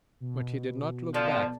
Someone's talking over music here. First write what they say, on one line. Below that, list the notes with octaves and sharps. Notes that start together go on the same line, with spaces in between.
But he did not look back.
B2
D3 F3